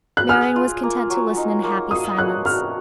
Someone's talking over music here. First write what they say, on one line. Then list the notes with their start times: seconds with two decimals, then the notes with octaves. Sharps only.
Marian was content to listen in happy silence.
0.17 F#6
0.29 G#4 F6
0.56 F4
0.83 A#3
1.10 F#3
1.37 D#4
1.64 A#3
1.91 F5 D#6
2.18 C#5 F#6
2.46 F#4 F6